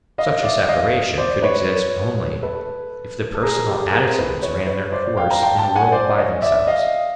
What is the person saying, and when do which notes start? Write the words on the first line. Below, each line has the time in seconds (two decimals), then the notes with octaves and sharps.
Such a separation could exist only if the personal attitudes ran their course in a world by themselves.
0.18 D#5 F5
0.43 D5 E5
0.68 D#5 F5
1.18 C5 D5
1.42 B4 C#5
2.42 A4 B4
3.34 A4
3.43 G#4 A#4
3.67 G4 A4
3.92 G#4 A#4
4.11 C5
4.17 A4 B4
4.42 B4 C#5
4.67 B4 C#5
4.92 C5 D5
5.17 F5 G5
5.31 A#5
5.43 G5 A5
5.58 G5 A5
5.76 F#5 G#5
5.92 C5 D5
6.17 C#5 D#5
6.42 D5 E5
6.67 D#5 F5